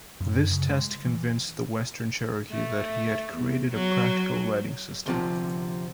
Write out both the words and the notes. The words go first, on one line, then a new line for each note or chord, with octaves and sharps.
This test convinced the western Cherokee that he had created a practical writing system.
F#2
C#3
G#3
E3
A3
E2
F#3
D2 C3 F3